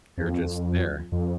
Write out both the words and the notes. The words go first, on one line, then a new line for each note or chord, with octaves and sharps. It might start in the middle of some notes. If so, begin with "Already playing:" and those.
They're just there.
F2
F2